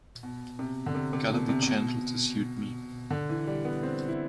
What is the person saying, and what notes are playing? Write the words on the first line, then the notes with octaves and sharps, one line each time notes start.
Gotta be gentle to suit me.
B2
C3
D3
C3
C3
B2
C3
C3
B2
D3
E3
G3
B3
C4
E4